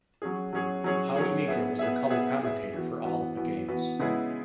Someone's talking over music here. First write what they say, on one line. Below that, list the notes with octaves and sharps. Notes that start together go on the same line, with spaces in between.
Howie Meeker was the colour commentator for all of the games.
F#3 C#4 G#4
F#3 C#4 G#4
F#3 C#4 G#4
F#3 C#4 G#4
B3 G#4 E5
B3 G#4 E5
B3 G#4 E5
B3 G#4 E5
E3 B3 F#4
E3 B3 F#4
E3 B3 F#4
E3 B3 F#4
C#3 G#3 B3 E4 G#4